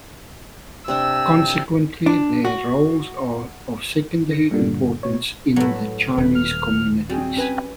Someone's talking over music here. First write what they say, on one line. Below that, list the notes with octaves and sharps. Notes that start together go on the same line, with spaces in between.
Consequently, their roles are of secondary importance in the Chinese communities.
C3 D4 F#5 E6
D4
F#4
D3 A#6 C#7
G2 A#2 D3
B2 C#5
A2 F#3 G3 A4 B4
D#1 C#4 B4
F6
G3 C4 F#4 G#4
C#4 B4 G#5